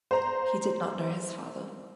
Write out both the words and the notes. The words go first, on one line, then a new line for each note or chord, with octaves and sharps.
He did not know his father.
C5 A#5